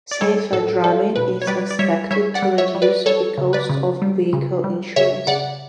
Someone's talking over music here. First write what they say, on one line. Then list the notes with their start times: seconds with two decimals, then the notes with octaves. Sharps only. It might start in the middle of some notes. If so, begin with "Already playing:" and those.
Safer driving is expected to reduce the costs of vehicle insurance.
0.11 D5
0.21 G3 A4 C#5
0.52 A2 A4
0.84 G3 A4
1.16 B2 B4
1.42 C#5
1.47 G3 B4 D5
1.71 D5
1.79 G3 C#5 E5
2.11 G3 C#5 E5
2.34 D5 F#5
2.42 G3
2.58 C#5 E5
2.75 G3
2.82 B4 D5
3.06 G3 A4 C#5
3.38 C#3
3.53 B4 D5
3.69 C#3
4.02 G3
4.33 C#3
4.64 G3
4.96 C#3 C#5 E5
5.27 C#3 D5 F#5